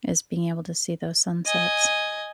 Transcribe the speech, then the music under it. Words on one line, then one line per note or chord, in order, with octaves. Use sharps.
is being able to see those sunsets.
D#5 G#5